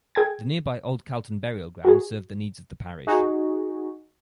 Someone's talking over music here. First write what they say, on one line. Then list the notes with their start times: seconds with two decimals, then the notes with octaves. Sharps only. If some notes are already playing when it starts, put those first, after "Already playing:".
The nearby Old Calton Burial Ground served the needs of the parish.
0.15 G#4 G5 G#6
1.85 F#4 G#4
3.07 D#4 F#4 G#4